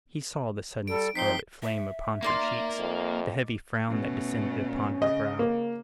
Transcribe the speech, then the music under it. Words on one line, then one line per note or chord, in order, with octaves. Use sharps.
He saw the sudden scarlet flame upon her cheeks, the heavy frown that descended upon her brow.
G3 A4 D7
F3 C4 D#4 C5 B6 C7 G7
E5
A#3 D#4 A#4 D5 C6
F2
B2 A3 C#4
C#3 D#5
A#3